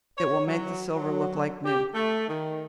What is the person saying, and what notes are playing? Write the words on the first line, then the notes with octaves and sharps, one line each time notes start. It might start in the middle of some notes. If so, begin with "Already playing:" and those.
It will make the silver look like new.
C#5
F#3
F#3
G4
A3
D#3